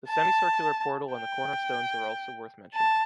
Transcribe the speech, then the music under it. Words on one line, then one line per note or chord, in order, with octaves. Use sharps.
The semicircular portal and the corner stones are also worth mentioning.
A5
G5
A5